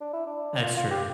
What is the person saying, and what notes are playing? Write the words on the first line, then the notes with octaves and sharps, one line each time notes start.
That's true,
D4
E4
D4
F4
F4
G4